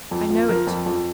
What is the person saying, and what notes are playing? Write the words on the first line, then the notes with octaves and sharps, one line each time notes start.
I know it.
F2
F3
F3 A#4
F2
F2